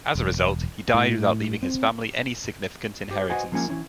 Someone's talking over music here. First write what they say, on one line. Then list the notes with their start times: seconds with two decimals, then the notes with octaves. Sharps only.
As a result, he died without leaving his family any significant inheritance.
0.15 E1
0.94 A2
1.63 C4
3.11 G4 C5
3.30 F#4 B4 C5 D#5 F#5 G#5
3.52 F3 G#3 A#3 C#4 G#5
3.69 E3 C#4 E4